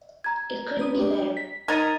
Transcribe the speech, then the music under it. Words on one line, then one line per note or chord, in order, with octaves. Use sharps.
It couldn’t be better.
A#5 G#6
A3 B4 D#6
D4 G4 D5
B6
D#4 A#4 G#6 A6 D#7